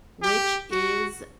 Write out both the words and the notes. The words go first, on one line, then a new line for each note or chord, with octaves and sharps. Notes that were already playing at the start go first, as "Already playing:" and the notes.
which is
G4
F#4